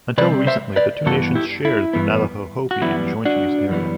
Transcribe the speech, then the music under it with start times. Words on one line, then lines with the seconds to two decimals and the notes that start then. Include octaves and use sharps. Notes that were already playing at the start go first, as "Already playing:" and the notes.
Until recently, the two nations shared the Navajo-Hopi Joint Use Area.
0.18 C3 G3 C4 B4 D5
0.47 C5 E5
0.76 B4 D5
1.06 G2 E3 B3 F#4 A4
1.35 E4 G4
1.65 E4
1.93 G2 E3 B3
2.71 F#4
2.81 F#2 E3 G3 B3 E4
3.25 D4 F#4
3.69 F#2 E3 G3 B3